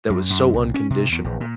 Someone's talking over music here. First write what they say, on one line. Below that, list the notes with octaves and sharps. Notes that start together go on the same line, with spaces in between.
that was so unconditional
F#2
F#2
C2
C#4
C3
E2
A#1
A#2